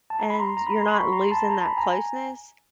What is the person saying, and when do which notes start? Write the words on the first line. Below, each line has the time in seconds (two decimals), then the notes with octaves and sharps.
and you're not losing that closeness
0.10 A5
0.20 A#5
0.30 B5
0.39 A#5 C6
0.57 A#5
0.67 B5
0.76 A#5 C6
0.94 B5 C#6
1.12 A#5 C6
1.31 A5 B5
1.49 A#5
1.64 B5
1.77 G#5 A#5